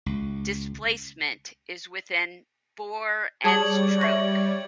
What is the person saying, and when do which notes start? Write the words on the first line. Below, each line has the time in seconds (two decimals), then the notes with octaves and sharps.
Displacement is with an bore and stroke.
0.06 C#2
3.44 G3 G#4 C#5 D5 A5 D#6 G#6 F#7
4.01 E5 C#6 A#6